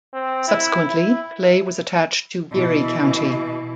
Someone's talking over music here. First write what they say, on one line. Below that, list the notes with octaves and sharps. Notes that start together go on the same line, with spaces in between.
Subsequently, Clay was attached to Geary County.
C4
E4
E4
B2 E3